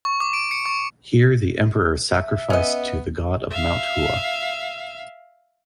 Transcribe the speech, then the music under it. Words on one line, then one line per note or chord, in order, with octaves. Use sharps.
Here the emperor sacrificed to the god of Mount Hua.
C#6
D6
D7
C#7
C#6
E5
B3 C#4 D#5
E5 F5